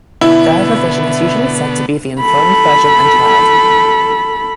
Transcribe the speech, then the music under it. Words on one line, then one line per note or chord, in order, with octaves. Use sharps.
There the vision is usually said to be the enthroned Virgin and Child.
B2 D3 B3 E4
A4 B5